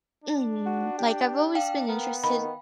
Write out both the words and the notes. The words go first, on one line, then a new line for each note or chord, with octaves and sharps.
Mhm, like, I've always been interested,
D4
F#4
G4
F5 G5
B3 A#4
D#3 B5